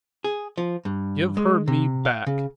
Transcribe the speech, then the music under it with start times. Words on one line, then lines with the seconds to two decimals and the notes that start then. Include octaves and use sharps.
"Give her me back!"
0.24 G#4
0.58 F3
0.85 G2
1.37 G#3
1.68 C3
2.05 F5
2.27 C#3